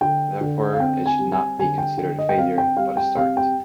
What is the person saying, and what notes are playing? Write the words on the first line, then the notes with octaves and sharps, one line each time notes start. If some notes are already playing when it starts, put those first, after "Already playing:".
Therefore, it should not be considered a failure, but a start.
D3 G5
D3
F5
C4 G5
G#5
G3
G#5
D3 G#5
G5
D3 G5
D#5
G5
C4 F5
G5
G3 F5
G5
C3 F5
G5